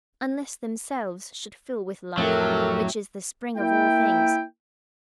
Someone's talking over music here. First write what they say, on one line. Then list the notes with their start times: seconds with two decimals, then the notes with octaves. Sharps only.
Unless themselves should fill with love, which is the spring of all things.
2.18 F2 A2 F#3 G4 A4 A#4 E5
3.58 A#3 E4 G5